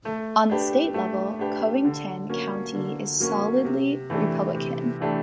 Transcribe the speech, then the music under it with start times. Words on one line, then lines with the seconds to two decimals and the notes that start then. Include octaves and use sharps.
On the state level, Covington County is solidly Republican.
0.05 A3
0.50 D4 G4 B4
0.94 A3
1.39 D4 G4 B4
1.85 D3
2.29 F#3 A#3 C#4
2.75 D3
3.20 F#3 A#3 C#4
3.65 C3
4.10 E3 A3 D4 G4
4.55 C3
5.00 E3 A3 D4 G4